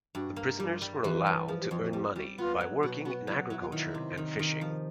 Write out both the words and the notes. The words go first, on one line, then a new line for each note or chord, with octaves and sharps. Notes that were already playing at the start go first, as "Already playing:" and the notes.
The prisoners were allowed to earn money by working in agriculture and fishing.
G2 F#4
A#3
G3 G4
F4
G3
E3 G4
G3
F3 G#4
G4
F2 F4
F#4
G3 G4
G3 F#4
B3 F4
F#3
B2 F#4
B3 F#4
F#3 E4
F#3 E4
F4
D#3 E4
C3
D#3
D#3
F3